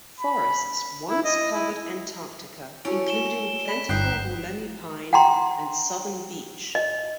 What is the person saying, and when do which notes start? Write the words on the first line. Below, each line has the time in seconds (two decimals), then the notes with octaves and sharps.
Forests once covered Antarctica, including plentiful Wollemi Pine and Southern Beech.
0.20 B5
1.09 E4
1.24 D#5
1.54 E4
2.85 C#4 E4 F#4 A4 D7
3.08 E7 G7
3.65 D5 B5 B6 E7
3.89 G1 D#4 G5 F#6 C7
5.13 F#5 G5 A#5 C6
6.75 D#5